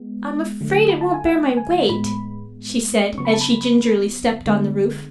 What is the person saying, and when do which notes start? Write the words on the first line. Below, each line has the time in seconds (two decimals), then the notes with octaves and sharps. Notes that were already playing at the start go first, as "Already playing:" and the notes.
"I'm afraid it won't bear my weight," she said as she gingerly stepped on the roof.
Already playing: G#3 B3
0.61 D3 F#3 A3
0.90 B5
1.01 A5
1.14 G#5
1.26 F#5
1.57 G#5
1.89 A2 G#3 B3 B5
3.18 C#3 F#3 B3 C#6
3.25 B5
3.34 A5
3.41 B5
4.46 D3 G#3 B3